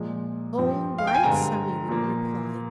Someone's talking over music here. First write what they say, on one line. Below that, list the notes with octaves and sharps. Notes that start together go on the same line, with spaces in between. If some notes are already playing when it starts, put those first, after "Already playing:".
"All right," Sammy would reply.
Already playing: A#2 F3 G#3
G2 F3 C4
F5
G5
G#5
G2 D3 G#3 C4 A#5
A#2 F3 A#3